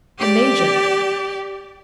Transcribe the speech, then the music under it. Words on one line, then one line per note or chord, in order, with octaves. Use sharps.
"The major."
G4 D5